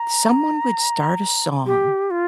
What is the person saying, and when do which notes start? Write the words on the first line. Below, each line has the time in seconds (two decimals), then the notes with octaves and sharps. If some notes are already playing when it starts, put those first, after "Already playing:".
someone would start a song.
Already playing: A#5
1.66 G4
2.11 F4